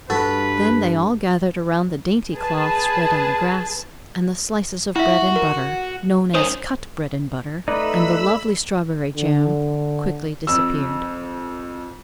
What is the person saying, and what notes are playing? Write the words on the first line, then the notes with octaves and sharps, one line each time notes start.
Then they all gathered around the dainty cloth spread on the grass, and the slices of bread and butter, known as "cut bread and butter," and the lovely strawberry jam quickly disappeared.
G2 F#4 A4 B4
G#4 B4 A5
E4 F#4 E5
A#4
D#3 C#4 C5 D#6
A3 D#4 B4 D5 B5 E6
D3
F2 E6